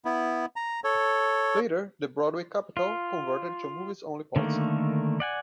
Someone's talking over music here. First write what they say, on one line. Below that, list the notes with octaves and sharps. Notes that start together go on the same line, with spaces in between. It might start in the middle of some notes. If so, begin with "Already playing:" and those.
Later the Broadway Capitol converted to a movies-only policy.
B3 E4
A#5
A4 C#5
F4
D3 D#3 A3 A#3
D5 F#5 G#5